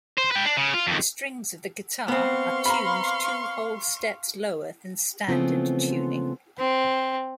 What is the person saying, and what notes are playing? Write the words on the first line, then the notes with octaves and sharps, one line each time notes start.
The strings of the guitar are tuned two whole steps lower than standard tuning.
C5
B4 G5
D4
C#3
F4
F2 D#3
B3 C4 F5 C6 C#6
A#5 B5
C#3 E3 F3 A3 B3 C4
C4